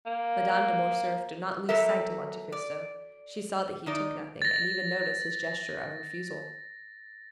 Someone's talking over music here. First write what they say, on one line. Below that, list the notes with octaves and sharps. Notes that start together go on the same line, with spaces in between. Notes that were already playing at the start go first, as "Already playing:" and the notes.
Madame de Morcerf did not lose sight of Monte Cristo; she saw that he took nothing, and even noticed his gesture of refusal.
A#3
B2 F#3 A4 A#4 E5
D5
D#3 D#4 D5
A6 A#6